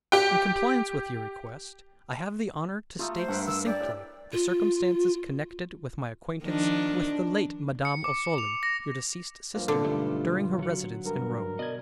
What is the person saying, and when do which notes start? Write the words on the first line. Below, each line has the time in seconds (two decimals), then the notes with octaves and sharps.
In compliance with your request, I have the honor to state, succinctly, the circumstances connected with my acquaintance with the late Madame Ossoli, your deceased sister, during her residence in Rome.
0.12 G4 G5
2.99 A3 D#4 F4
3.16 C5
3.28 G2 A#4 E5 F#5
3.46 E6
3.66 G4 D5
3.80 A2 G4
4.32 F4
6.44 D#3 F3 D4
7.85 C#7
8.04 D6
8.38 F7
8.63 A#6
9.55 G2 F3 A#3
9.68 D3 C4
9.85 B1 G2 A3 F4 G4
10.59 F#3 F#4
11.05 G2 A#4
11.59 B2 D5 D#5 G#6